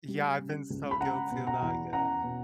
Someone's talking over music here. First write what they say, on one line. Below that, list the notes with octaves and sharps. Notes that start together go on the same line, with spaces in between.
Yeah, I've been so guilty about that, yeah.
G3
C#3
C#2
B5
C#4 F#5 A#5
B2
F#5 A#5
E2
C#4 F#5 A#5
B2